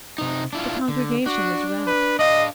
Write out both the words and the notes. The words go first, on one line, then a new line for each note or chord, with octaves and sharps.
The congregation is rapt.'
C3 D#4
D4 E4 F4
D3
D4 F#4
B4
D4 D#5 F5